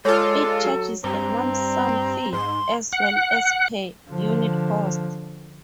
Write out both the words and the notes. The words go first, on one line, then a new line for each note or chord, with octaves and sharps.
It charges a lump sum fee, as well as a per unit cost.
G#3 F4 A4 C#5 D5
F#3
G2 C4 A#5 D6
G#2 C6
F#5
D3 F3